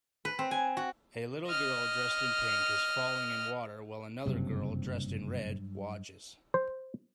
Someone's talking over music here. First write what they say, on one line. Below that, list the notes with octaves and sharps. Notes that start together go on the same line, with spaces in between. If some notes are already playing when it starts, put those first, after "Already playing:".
A little girl dressed in pink is falling in water while another girl dressed in red watches.
B4
C4
G#5
F#4
D#5 F6
F#1 G2 C3 F#3
C5